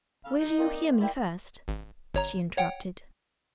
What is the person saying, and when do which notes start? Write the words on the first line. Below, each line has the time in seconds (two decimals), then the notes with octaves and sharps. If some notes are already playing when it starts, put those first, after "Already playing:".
"Will you hear me first?" she interrupted.
0.25 C#3 A4 F5
0.39 D#4 D#5
0.58 A#3 C4 D5
1.00 E4 D5 G5
1.68 G#1
2.14 G1 C#5 A#5
2.57 C#5 F#5 G5